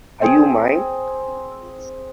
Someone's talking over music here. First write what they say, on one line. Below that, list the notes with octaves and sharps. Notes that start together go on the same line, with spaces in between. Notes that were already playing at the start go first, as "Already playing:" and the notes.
Are You Mine?
C4 G#4